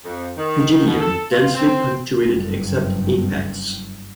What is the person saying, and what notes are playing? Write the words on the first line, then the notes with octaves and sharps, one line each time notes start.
Pygidium densely punctuated except apex.
F2
D#3
B2
A4
F4
C4
F#1 G2